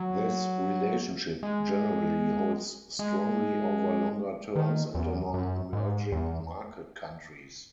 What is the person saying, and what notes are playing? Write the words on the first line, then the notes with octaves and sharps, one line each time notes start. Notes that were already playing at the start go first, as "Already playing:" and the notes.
This relationship generally holds strongly over longer terms and among emerging market countries.
Already playing: F#3
G#3
G#3
D#3
E2
F#2
G#2
E2